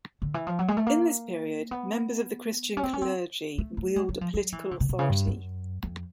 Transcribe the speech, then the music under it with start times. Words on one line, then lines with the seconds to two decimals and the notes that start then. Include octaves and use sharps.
In this period, members of the Christian clergy wield political authority.
0.22 D3
0.34 E3
0.47 F3
0.59 F#3
0.68 G#3
0.77 A3
0.87 A#3
1.71 B3
2.77 C#4
2.83 C4
2.93 C#4
3.02 C4
3.58 A3
3.77 A3
3.96 G#3
4.09 F#3
4.21 F3
4.34 F#3
4.52 E3
4.71 D3
4.80 C3
4.89 B2
4.99 C#3
5.09 G2
5.27 F#2
5.83 F2